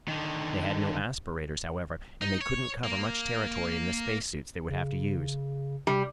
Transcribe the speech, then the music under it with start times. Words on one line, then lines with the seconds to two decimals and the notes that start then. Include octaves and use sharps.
They had no aspirators, however, and they couldn't cover much territory in the spacesuits they would have to use.
0.08 D3 D#3
2.21 D#4
2.41 C#5
2.84 A#3
4.68 C#3
5.87 C3 G3